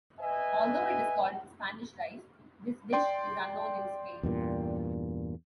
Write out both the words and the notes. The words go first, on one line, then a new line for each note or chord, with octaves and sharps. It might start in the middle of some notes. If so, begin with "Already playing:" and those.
Although it is called "Spanish rice", this dish is unknown in Spain.
B4 D#5 E5 G#5
D5 G5 C6
E2 G2 A#2